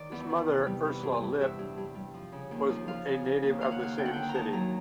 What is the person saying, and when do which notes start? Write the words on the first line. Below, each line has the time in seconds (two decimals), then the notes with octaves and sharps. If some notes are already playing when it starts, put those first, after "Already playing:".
His mother, Ursula Lippe, was a native of the same city.
Already playing: D#3 D5
0.12 E2
0.30 D#3
0.48 C3
0.66 G3
0.85 E3
1.03 G2
1.22 G2
1.40 G2 E5
1.59 G2
1.78 G2
1.95 G3
2.14 F3
2.32 C#3
2.51 D#2
2.69 F3
2.87 F3 F5
3.06 C#3
3.25 C#3
3.43 D#2
3.61 D#2 F5
3.72 F#5
3.79 D#2 F5
3.98 D3 G5
4.06 F#5
4.13 D#2 G5
4.29 A#5
4.34 D#2 A5
4.52 F#3 A#5